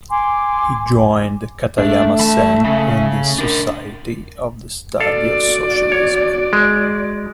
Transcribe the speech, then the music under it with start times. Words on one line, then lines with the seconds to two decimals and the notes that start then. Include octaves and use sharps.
He joined Katayama Sen in the "Society of the Study of Socialism".
0.09 G#5 C6 D6
1.78 A3 D4 E5
2.19 E3 A5
2.64 C#3
3.39 D4 A#4
5.00 F#4 A4 D5 F5
5.92 C#5
6.53 G#3